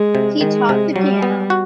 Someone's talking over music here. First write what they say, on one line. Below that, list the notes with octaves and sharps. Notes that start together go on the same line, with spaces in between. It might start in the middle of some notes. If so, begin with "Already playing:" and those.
He taught the piano.
Already playing: G#3
C3
D#3 G#3
C3
F#3 G3
B3
F#4